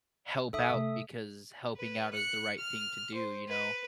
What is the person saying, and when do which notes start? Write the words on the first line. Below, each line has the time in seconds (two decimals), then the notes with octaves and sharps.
help out because helping out is the right thing to do, you know?
0.53 D#4 A4 E5 D#6
0.70 C3 A3
1.77 B4
2.14 F#6 C#7
2.59 F6
3.15 C5
3.48 B4